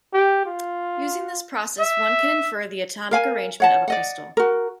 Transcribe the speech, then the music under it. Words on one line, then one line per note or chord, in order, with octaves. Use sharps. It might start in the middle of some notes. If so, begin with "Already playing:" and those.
Using this process, one can infer the atomic arrangement of a crystal.
G4
F4
E5
A#4 F5 G#5
C#5 F#5 A5
D5 D#5 F#5
F#4 A#4